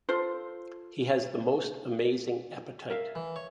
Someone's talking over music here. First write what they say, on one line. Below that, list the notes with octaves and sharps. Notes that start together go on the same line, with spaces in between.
He has the most amazing appetite.
F4 A4 C5
A#4 E5 F5
E3
C#5